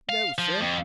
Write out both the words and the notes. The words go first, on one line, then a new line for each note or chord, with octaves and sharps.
"No, sir."
F5
F3
F2